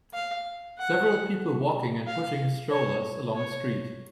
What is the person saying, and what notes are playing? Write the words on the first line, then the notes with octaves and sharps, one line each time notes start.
Several people walking and pushing strollers along a street.
F5
F#5
F5
C#5
C#5